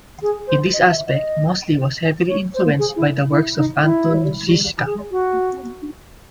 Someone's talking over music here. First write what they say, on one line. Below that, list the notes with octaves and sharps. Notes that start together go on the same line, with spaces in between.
In this aspect, Mosley was heavily influenced by the works of Anton Zischka.
G#4
C5
D#5
E5
D#5
C#5
C5
G#4
E4
E4
D#4
E4
G#4
F#4